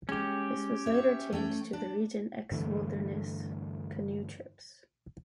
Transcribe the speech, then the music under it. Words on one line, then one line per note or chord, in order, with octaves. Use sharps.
This was later changed to the Region X Wilderness Canoe Trips.
G#3 C#4 G4
C#5 E5
A3 C#4 G5
D4
G2 D3 E3 A3